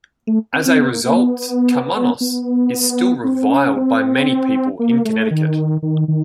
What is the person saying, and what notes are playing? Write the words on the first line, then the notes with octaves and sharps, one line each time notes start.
As a result, Karmanos is still reviled by many people in Connecticut.
A3
C4
C4
B3
A#3
A#3
B3
B3
C4
C#4
C4
A#3
A3
D#3
D#3
D#3